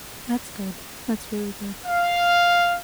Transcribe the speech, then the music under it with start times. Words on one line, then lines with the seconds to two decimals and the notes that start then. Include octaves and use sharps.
That's good. That's really good.
1.85 F5